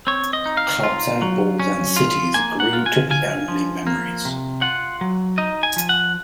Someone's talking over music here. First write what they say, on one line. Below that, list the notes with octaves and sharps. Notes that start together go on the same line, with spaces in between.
Clubs and balls and cities grew to be only memories.
C4 C#5
D#5
D#4
F5
F4
F#3
C#4
F4
A#3 G#5
F#5
F4
G#5
F4 G#5
F3
A#3
C3
F4 F#5
F#3
D#4 D#5
G#5
F3
F#5